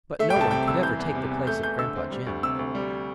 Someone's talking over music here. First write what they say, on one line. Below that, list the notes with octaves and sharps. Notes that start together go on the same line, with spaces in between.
But no one could ever take the place of Gran'pa Jim.
A3 E5
G5
C2 A5
C3 G5
C2 E6
E3 G6
E2
C3
E2
A3 G6
E2 G6
D3 E6
C4
G3
D2
C3 E6
D2
G3